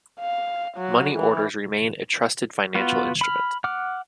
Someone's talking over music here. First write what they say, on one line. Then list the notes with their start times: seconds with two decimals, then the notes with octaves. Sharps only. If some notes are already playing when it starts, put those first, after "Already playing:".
Money orders remain a trusted financial instrument.
0.21 F5
0.77 F#3
1.16 E3
2.75 B3 F4 F#4
3.21 B5 F6
3.64 F#5 D6 F6